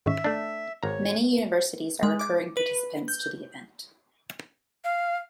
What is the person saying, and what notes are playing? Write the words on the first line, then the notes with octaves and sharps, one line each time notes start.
Many universities are recurring participants to the event.
G#2 D#3 C#4 E5
A3 D4
G#1 C#5 A#5
G#3
D6
B4
G6
F5